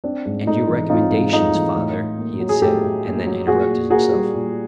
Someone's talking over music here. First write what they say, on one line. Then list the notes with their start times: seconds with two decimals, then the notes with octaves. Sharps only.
"And your recommendations, father---" he had said, and then interrupted himself.
0.04 C4 D4
0.25 G#2
0.47 A3 D#4
0.68 E3
0.89 C4 D#4 F4
1.12 G#2
1.32 A3 D#4 F4
1.54 E3
1.76 A2
1.97 A2
2.18 A#3
2.40 F#3
2.49 G#4
2.62 A2 G4 A4
2.83 A2
3.05 A#3
3.26 F#3
3.47 A#2 F#4 G#4
3.69 A#2
3.90 A#3 F#4 G#4
4.12 G3
4.34 A#2